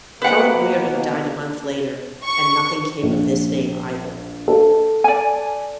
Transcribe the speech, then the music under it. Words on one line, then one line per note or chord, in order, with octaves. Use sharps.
Caliguiri died a month later, and nothing came of this name, either.
B2 A#3 G4 B4 C5 F#5 G5
C#6
A#1
A4
D5 G#5